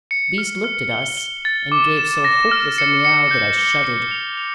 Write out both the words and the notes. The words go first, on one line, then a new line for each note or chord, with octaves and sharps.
The beast looked at us and gave so hopeless a miau that I shuddered.
C#7
F6
F6
G7
G7
A6
D6
E7
A#6
F6
C#7
C#7
G6
G7
C#7
F7
F7